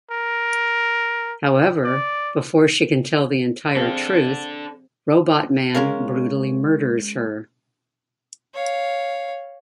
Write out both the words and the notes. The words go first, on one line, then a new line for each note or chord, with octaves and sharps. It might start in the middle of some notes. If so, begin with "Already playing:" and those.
However, before she can tell the entire truth, Robotman brutally murders her.
A#4
D5
C4 D4 G#4 A4 F5
G#3 C#4 A#4 F5
C#5 F5